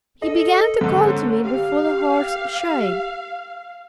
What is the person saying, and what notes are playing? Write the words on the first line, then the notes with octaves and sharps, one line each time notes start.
He began to call to me before the horse shied.
A4 D#5
G#2 D3
C#4
G4 F5